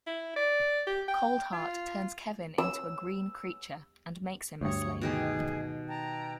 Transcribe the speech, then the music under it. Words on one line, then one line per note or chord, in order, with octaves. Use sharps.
Coldheart turns Kevin into a green creature and makes him a slave.
E4
D5
G4
G5
F4
E6
D2 G2 C#5 C#6 D#6
B2 D#3 G4 G#4
G5 A5 A#5